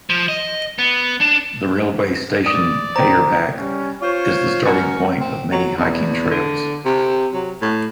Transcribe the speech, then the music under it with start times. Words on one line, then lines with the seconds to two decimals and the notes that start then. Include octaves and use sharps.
The railway station Payerbach is the starting point of many hiking trails.
0.10 F3
0.28 D#5
0.78 B3
1.21 D4
2.46 D5 D#6
2.96 C5 G5 A#5
3.58 G3 C#4
4.01 F4 C5 C#5
4.64 C#4 F#4 A#4
5.20 C4
5.51 F#3
5.77 E2
6.31 D3
6.85 C3
7.33 F#3
7.61 A2